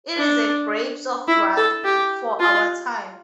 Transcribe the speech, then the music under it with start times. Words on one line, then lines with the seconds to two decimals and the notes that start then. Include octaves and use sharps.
It is a "Grapes of Wrath" for our time.
0.17 D4
1.28 E4
1.57 A4
1.84 G4
2.40 F4